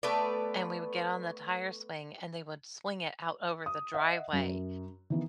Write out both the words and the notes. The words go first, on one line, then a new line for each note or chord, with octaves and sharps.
and we would get on the tire swing, and they would swing it out over the driveway.
A3 B3 B4 D5
D#6
D#5 E5 F#5
F#2
D#3 E3 B3